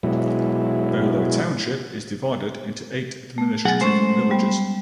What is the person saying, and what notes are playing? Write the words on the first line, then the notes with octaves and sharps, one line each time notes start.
Bolo Township is divided into eight administrative villages.
B2 F#3 G#3 E4
A3
B1 F#3 G#4 F#5 G#5 A6
G#3 A3 C#4 C5
G3 B3